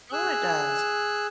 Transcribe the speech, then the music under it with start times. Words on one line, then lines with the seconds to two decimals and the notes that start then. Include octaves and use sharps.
No. It does.
0.13 G#4 E6 F#6